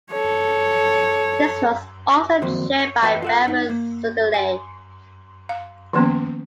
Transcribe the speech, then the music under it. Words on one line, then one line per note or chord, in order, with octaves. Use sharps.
This was also chaired by Baron Sudeley.
A4 C#5
D#3 F3 F#3 A#3 C4
C#5
E2 A3 B4 D#5 G5 A5
F4 A4 F#5
D#4
A#3
G#5
F5
D#3 F3 A#3 B3 C#4